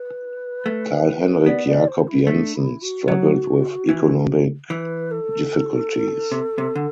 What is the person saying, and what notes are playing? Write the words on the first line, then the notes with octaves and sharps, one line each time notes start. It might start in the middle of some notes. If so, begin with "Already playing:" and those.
Carl Henrik Jacob Jensen struggled with economic difficulties.
Already playing: B4
A3
B3 D5
D5
C5
E4
A3 D4
E4
F#4
F#3
E3
E3 B4
A4
C3
C3
D3